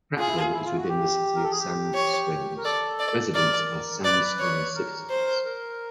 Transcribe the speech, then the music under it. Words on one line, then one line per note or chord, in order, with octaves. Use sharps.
Prattville is within the City of Sand Springs; residents are Sand Springs citizens.
F4 G#4
E4
F4
E4
F4
F#4
G4
A#4
A4
G#4
G4
C#5
A#4
A4 D5
D5
A#4 D5
B4 D5
C#5
A#4
C5
A#4